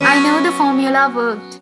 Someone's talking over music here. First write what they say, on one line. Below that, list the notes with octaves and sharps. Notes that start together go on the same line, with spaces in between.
I knew the formula worked.
F#3 B3 C#4